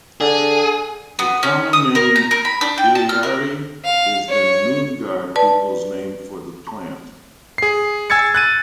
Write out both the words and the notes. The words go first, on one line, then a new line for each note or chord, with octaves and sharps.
The common name "Illyarrie" is the Noongar peoples name for the plant.
D3 G#4
B3
C#4
D#6
A#4
A#5
A#4
B5
D4
G5
A5
F6
A#4
F5
C#5
B4 D5 A5
G#4 C7
G#5 E6 G#6 A6 C#7
F#6 A6 D#7